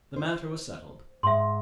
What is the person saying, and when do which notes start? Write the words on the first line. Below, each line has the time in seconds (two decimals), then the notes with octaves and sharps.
The matter was settled.
0.16 C5
1.23 G#2 E5 C6